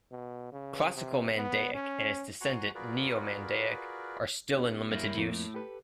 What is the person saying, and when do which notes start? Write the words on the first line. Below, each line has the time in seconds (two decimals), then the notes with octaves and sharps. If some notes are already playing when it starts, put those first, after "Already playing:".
Classical Mandaic and its descendant Neo-Mandaic are still in limited use.
0.11 B2
0.52 C#3
0.95 C3
1.35 B3
1.74 C#4
2.41 F#4 F#5 G#5 A#5 C6 C#6
2.75 F4 F#4 G#4 A#4 B4 D5
4.54 B3 D4 G4
4.91 G2 A#3 E4 F6
5.18 F2 A2 A#3
5.54 G4 A4 B4